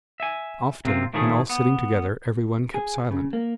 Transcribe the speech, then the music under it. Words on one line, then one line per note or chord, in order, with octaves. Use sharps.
Often when all sitting together everyone kept silent.
E5 G#5
C3 A#3 C4 F4
A2 D#3 F3 A3 E4 G#4
B3
G#4
C#3
A#3